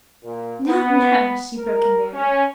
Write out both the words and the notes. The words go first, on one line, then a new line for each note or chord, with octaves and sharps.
"No, no!" she broke in merrily.
A#2
B3
A#4
C#4